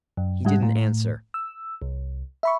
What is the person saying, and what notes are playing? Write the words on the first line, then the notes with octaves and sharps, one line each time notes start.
He didn't answer.
F#2
G#2 G3 F#5
A2
E6
C2
E5 B5 C#6